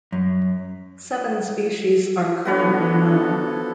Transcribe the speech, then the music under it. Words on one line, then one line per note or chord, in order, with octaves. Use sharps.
Seven species are currently known.
F#2
F3 B3 D4 F#4 A4 B4 C#5